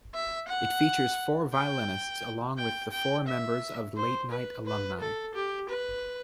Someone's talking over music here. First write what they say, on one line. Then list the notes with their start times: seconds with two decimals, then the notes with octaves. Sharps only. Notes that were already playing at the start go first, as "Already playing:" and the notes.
It features four violinists along with the four members of Late Night Alumni.
0.15 E5
0.48 F#5
1.53 G5
2.58 G5
2.92 G5
3.27 E5
3.96 C5
4.31 B4
4.66 B4
5.01 A4
5.35 G4
5.69 B4